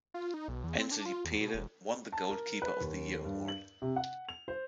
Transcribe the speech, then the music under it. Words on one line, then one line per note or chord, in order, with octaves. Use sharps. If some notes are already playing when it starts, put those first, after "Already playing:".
Enzo Di Pede won the 'Goalkeeper of the Year' award.
F4
D#4
B1
E2
C4
D4
F4
E2
B2
E1
A5
A#4
B4
D#2
G2
F#7
C3
F#5
F7
C5